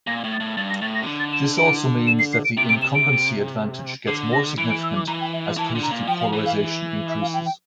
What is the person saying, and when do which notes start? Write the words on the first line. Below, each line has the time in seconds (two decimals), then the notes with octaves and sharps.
This also means that the incumbency advantage gets more significant as political polarization increases.
0.07 A#2 A#6
0.24 A2
0.32 A6
0.40 A2
0.57 G2 A6
0.70 A#6
0.81 A2 A6
0.95 A#6
1.03 C3
1.07 D3
1.19 A6
1.33 E7
1.58 D7
2.07 E7
2.19 C7
2.33 C7
2.45 D7
2.57 C3 D7
2.69 D7
2.82 E7
2.95 D7
4.07 D3 C7
4.33 A#6
4.58 E3 D7
4.70 D7
4.83 E6
4.96 D6
5.07 E3 A#5
5.21 G5
5.33 E5
5.57 E3 A5
5.75 D3
5.83 A#5
5.91 A#2
6.07 F3 G5
6.20 F5
6.33 E3
6.46 F5
7.08 E5
7.21 F5
7.34 G5
7.45 G5